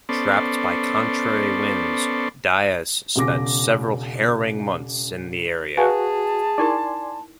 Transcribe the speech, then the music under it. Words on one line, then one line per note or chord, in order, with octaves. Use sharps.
Trapped by contrary winds, Dias spent several harrowing months in the area.
B3 C#4 A4 C5 D5
E1 C#3 D6 A#6
F#4 G#4 B4 F5 G#5 A5
D#4 E4 A#4 D5 G#5 C6